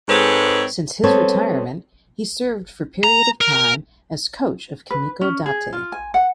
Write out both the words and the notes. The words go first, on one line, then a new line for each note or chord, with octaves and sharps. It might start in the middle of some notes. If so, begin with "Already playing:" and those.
Since his retirement he served for period of time as coach of Kimiko Date.
G#2 G#3 C4 A4 B4 C#5
G3 B3 C4 A4 C5 C#5
A#5
A#4
B4
C#4
G#4
F4
G#5
F#5